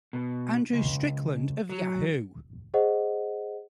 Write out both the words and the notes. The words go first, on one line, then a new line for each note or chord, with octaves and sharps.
Andrew Strickland of Yahoo!
B2
C#2
F#3
G#4 C5 D#5 F#5